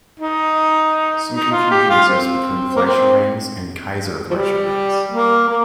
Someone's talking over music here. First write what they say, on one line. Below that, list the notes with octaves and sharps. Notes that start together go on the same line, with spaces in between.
Some confusion exists between Fleischer rings and Kayser-Fleischer rings.
D#4
D#4
F4
G4
F4
C4
A#3
C4
F3
G3
A#3
A#3